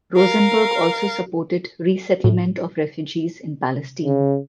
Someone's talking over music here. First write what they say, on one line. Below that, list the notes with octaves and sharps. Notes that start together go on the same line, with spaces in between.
Rosenberg also supported resettlement of refugees in Palestine.
A#4 F5
A2
C#3